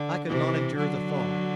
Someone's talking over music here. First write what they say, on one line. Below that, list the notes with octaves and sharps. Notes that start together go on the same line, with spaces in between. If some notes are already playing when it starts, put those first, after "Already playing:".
I could not endure the thought.
Already playing: D3
C3 E3
D3 F#3